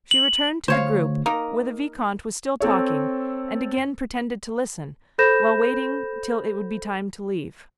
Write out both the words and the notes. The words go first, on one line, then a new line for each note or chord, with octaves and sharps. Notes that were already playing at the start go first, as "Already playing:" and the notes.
She returned to the group where the vicomte was still talking, and again pretended to listen, while waiting till it would be time to leave.
F#7
D2 C5 C#5 F5
A#3 D#4 A#4
C4 A4 C#5
A4 C5 B5 G6 A#6 E7